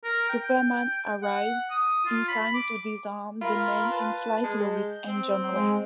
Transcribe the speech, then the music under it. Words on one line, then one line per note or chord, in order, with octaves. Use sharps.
Superman arrives in time to disarm the men and flies Lois and Jon away.
A#4
G5
F#5
D#6
F4
B5
D6
F4 A#4 B5
B4 A5
G#3 A5
G6
C4
G#3